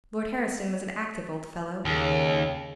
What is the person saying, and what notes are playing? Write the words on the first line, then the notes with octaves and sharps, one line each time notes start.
Lord Herriston was an active old fellow.
D#2 C#3